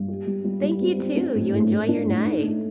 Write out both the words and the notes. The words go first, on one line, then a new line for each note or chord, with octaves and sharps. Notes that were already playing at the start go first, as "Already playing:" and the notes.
Thank you, too, you enjoy your night.
Already playing: G2
G4
G3
G3
G3
C4
C4
D4
A2
A2
A2
D4
A2
D#4
A3